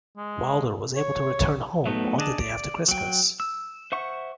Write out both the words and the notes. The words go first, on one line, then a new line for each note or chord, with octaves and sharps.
Wilder was able to return home on the day after Christmas.
G#3
C#5
F#3 A3 B3 D#4
D4 G#4 D#5 A5
D5
F#3 G5
E6
C5 E5 F#5 C#6